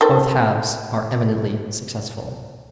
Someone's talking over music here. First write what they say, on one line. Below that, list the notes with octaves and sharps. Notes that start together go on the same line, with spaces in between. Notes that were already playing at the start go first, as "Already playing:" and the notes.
Both halves are eminently successful.
D#3 A4 C5